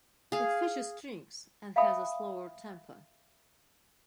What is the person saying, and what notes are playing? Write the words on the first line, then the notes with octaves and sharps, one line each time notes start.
It features strings and has a slower tempo.
G#4 F5
E5 F5 G5 A5 B5 D#6